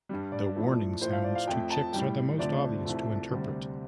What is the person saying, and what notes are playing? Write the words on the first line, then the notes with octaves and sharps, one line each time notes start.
The warning sounds to chicks are the most obvious to interpret.
G2 G3
D5
A2 F3 A3
A2 F3 A3 C5
F5
D5
F5
F2 F3 A3 G5
A5
A2 G3 G5
D2 C3 F3 A3 D5
C2 C3 F3 A3
D2 C3 G3